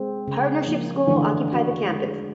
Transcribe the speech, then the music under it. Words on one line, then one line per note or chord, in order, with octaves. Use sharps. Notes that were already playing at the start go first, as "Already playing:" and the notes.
Partnership School occupy the campus.
Already playing: G#3 C4
C#3
F3 A#3
D3 E3 A3
D4
F#4
G#3